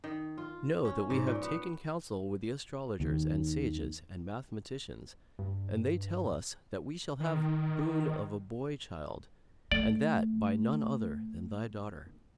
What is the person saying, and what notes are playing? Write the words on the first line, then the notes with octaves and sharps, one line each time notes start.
Know that we have taken counsel with the astrologers and sages and mathematicians, and they tell us that we shall have boon of a boy child, and that by none other than thy daughter.
D#3
F4
C#4
G#2
A#2
B3
D#2 D#3
G2
D#3
A3 D5